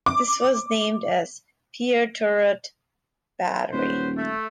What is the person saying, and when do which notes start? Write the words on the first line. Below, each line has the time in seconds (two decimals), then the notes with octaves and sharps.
This was named as 'Pier Turret Battery'.
0.06 D6
3.73 D#1 F#3 B4 C5
4.17 A3